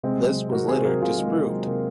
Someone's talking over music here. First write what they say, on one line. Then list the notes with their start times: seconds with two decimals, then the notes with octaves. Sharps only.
This was later disproved.
0.03 C3 G#3 C4
0.20 F#3
0.36 C3
0.52 D#3 F#4 A#4
0.68 C3 G#4 C5
0.85 F#3 F#4 A#4
1.01 C3 F4 G#4
1.17 D#3 G#3
1.26 A#3
1.34 C3
1.50 F#3
1.67 C3 A#3